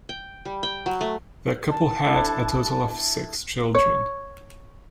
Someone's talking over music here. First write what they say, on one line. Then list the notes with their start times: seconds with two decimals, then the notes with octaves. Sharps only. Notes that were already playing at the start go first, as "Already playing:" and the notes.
The couple had a total of six children.
0.09 G5
0.45 G3
0.63 G5
0.86 F#3
1.01 A3
1.70 A5
2.04 D4 E4 A4
3.75 C#5